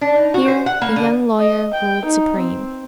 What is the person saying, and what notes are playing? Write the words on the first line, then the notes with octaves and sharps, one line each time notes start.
Here the young lawyer ruled supreme.
D4
D#4
F#4
C5
F#5
A#3
D3
D#5
G5
D#4
C4